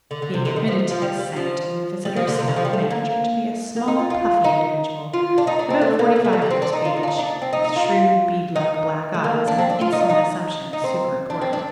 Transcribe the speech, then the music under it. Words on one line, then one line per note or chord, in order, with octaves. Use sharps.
Being admitted to this sanctum, the visitors found the manager to be a small, puffy individual about forty-five years of age, with shrewd, beadlike black eyes and an insolent assumption of super-importance.
D3
D3
C3
D3
D#3
F3
F3
G3
G3
F3
G3
F3
D3
C3
D3
F3
G3
A3
A#3
A#3
D#4
F4
F4
D#4
F4
D4
D#4
D4
C4
A3
A#3
A#3
A3
G3
D3
C4
D4
D#4
F4
D#4
D4
D#4
D4
D4
C4
D#4
D#4
F4
D#4
A3
A#3
D4
C4
D4
F4
D#4
D4
D#4
D#4
C4
D4
C4
D4